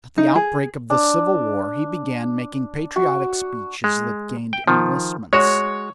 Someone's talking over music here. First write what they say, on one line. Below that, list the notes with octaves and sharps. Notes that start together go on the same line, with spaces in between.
At the outbreak of the Civil War he began making patriotic speeches that gained enlistments.
D#4
G#4
D4
F#4
G#3
G5
D#3 F3
G#3 F#4 C#5